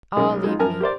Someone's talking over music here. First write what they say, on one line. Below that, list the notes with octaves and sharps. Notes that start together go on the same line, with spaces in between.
"All leave me."
B1 G#3 C#4 A#4
G#3 D#4 F4
F#2 A#4 G#5 A5
G4 A#4 C5 D5